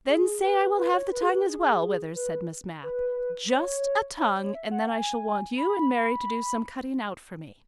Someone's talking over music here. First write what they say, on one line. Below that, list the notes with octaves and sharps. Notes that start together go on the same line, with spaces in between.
"Then say I will have the tongue as well, Withers," said Miss Mapp. "Just a tongue--and then I shall want you and Mary to do some cutting out for me."
G#4
B4
B4
C#5
B4
G#4
B4
G#4
B4
B4
C#5
C#5
C#5
E5
F#5
G#5
B5